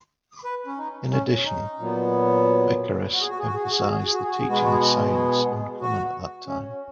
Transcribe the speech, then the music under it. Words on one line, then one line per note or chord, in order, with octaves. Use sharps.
In addition, Becheras emphasised the teaching of science, uncommon at that time.
B4
C#4
D#4
C#4
D#4
A#2 F#3 B3
F#4
G#4
F#4
G#4
F#4
G#4
F#4
G#4
F#4
G#4
F#4
G#4
F#4
G#4
F#4
G#4
B2 G#3 B3 F#4
G#4
F#4
G#4
F#4
G#4
F#4
C#4